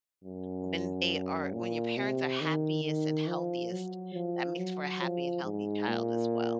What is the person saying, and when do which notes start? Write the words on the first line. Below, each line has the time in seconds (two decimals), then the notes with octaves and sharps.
when they are when your parents are happiest and healthiest, that makes for a happy and healthy child as well.
0.24 F#2
1.54 A#2
1.97 C3
2.41 D#3
2.84 D#3
3.27 F3
3.71 F#3
4.14 F3
4.58 F#3
5.01 F3
5.44 G#2
5.88 A#2